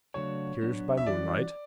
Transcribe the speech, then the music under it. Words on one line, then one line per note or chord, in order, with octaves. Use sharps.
Piers by moonlight.
C#3 F#3 A3 D4 F#4 C#5
F#3 B3 D4
E5
E3 G3 C#4 F#4 D5